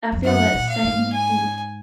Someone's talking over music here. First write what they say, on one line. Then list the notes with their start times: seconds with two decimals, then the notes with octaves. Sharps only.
I feel that same thin
0.12 F2
0.24 F#2 F#5
0.54 A#2
0.69 F5
0.83 G#2
1.13 G#5